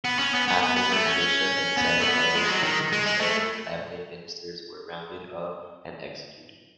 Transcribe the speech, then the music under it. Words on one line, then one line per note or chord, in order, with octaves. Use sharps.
Afterward, Bishop and seven others including several cabinet ministers were rounded up and executed.
B3
C#4
B3
B3
B3
B3
A3
C#4
B3
A3
B3
G#3
F#3
D#3
G#3
G#3
A3